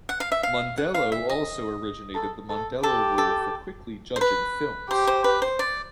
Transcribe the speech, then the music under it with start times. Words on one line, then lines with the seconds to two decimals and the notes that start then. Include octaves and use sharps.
Mondello also originated the Mondello Rule for Quickly Judging Films.
0.09 F#5
0.20 F5
0.32 E5
0.43 F5
0.77 F#5
0.94 F5
1.12 E5
1.29 D#5
2.15 A4
2.49 A4
2.83 G4 A4
3.18 A4
4.16 C5
4.21 B4
4.90 G4 C5
5.07 C5
5.24 B4
5.42 C5
5.59 D5